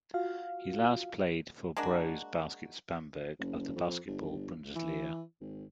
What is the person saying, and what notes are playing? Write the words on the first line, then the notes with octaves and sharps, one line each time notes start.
He last played for Brose Baskets Bamberg of the Basketball Bundesliga.
F4 F#4 F5
G#3 A#3 D4 F#4
F#1
F2
G1
E3
G#1